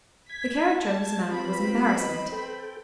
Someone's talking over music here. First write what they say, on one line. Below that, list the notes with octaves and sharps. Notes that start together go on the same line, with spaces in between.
The character of his manner was embarrassment.
G#6 B6
A5
C4 F4 G4 B4 B5
D#5
A4 G5